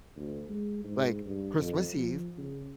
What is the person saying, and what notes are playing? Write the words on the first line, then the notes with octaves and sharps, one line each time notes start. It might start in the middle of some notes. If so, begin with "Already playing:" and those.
like, Christmas Eve,
D2
G#3
G#2
G2
F2
F3
C#3